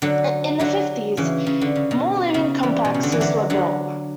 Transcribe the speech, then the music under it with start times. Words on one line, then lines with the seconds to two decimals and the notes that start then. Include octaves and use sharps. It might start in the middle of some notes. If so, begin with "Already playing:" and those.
In the fifties, more living complexes were built.
0.02 D3 F#3
0.60 D3 F#3
1.17 C#3 E3
1.47 C#3
1.61 D3
1.76 C#3
1.91 B2
2.34 C#3
2.63 E3 G3
2.85 B2
2.94 C#3
3.03 D3
3.12 E3
3.21 D3 F#3
3.50 D3 F#3